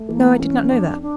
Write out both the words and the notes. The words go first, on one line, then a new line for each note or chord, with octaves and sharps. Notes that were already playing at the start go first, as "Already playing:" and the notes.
"No, I did not know that."
Already playing: A3
E3 A#3
E3 C#4
F2 D4
D4